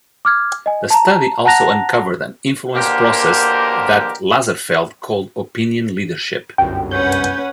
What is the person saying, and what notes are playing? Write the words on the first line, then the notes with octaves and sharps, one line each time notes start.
The study also uncovered an influence process that Lazarsfeld called opinion leadership.
D6 F6 G#6
D#5 G#5
A5 A#5
F#5 A5 A#5 F#6 A#6 F7
B2 D3 A#3 G4 A#4 C5
G1 C2 F#2 G5
C#4 B4 F#5 G6